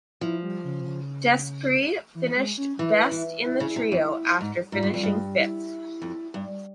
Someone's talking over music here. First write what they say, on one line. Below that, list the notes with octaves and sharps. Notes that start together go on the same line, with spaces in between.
Despres finished best in the trio after finishing fifth.
F3 E4
G3
C#3
C3
C#3
E3
G#3
C#4
E3 E4
E3
E4
C#3
C3
F2
G#2
G#2 F4
G2
F2
G2
E4
F2
G2